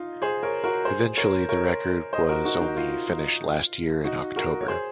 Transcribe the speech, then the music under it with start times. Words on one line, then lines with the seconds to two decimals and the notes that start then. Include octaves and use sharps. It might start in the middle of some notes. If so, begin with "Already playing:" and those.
Eventually the record was only finished last year in October.
Already playing: D#4 F4
0.22 G#4 C5
0.43 A#4 C#5
0.64 F#4 A#4
0.85 G#4 C5
1.17 A#4 C#5
1.49 A#4 C#5
2.13 C5 D#5
2.29 F#4 A#4
2.45 D#4 F#4
2.61 D#4
2.77 F4
4.05 D#4 F#4
4.36 F#4 A#4
4.61 C#5
4.68 G#4 C5